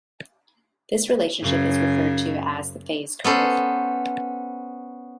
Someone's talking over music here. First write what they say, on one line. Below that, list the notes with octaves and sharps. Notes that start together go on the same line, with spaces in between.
This relationship is referred to as the phase curve.
F#2 C#3
B3 C#4 A4 C5